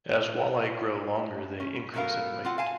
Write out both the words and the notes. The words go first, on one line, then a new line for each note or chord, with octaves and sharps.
As walleye grow longer, they increase in weight.
C#4
B2 F#3 A3 B3 A#4 F5
C4 F4 F#5
F5 G#5 A5